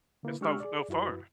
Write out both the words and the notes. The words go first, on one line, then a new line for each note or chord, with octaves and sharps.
it's no f no fun.
D3 A#3 E4 B4
G#3 D4 G4 C#6 E6 F6
G#4 D5
F#2 E4 F#4 B4